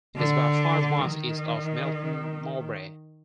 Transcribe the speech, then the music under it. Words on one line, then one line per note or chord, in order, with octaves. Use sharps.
It is about five miles east of Melton Mowbray.
D3
D#3